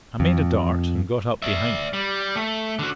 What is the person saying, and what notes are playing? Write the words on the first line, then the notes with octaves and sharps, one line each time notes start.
I made a dart and got up behind.
F2
D5 E5
G3
A3
D3 F#4